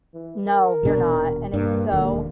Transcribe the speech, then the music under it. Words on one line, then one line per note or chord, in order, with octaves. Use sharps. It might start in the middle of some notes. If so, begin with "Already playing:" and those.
No, you're not, and it's so,
E3
A#4
D#1 B2 D4
G2 A#3
E1 D#2 D3 A#3